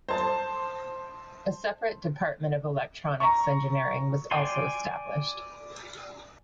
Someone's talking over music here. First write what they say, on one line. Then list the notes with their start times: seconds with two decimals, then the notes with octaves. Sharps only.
A separate Department of Electronics Engineering was also established.
0.09 C5 A5
3.20 A#5 C#6
4.31 D5 G5 G#5 C6